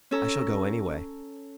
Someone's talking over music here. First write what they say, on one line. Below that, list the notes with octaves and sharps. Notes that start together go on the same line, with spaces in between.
I shall go anyway.
C#4 A4 A#5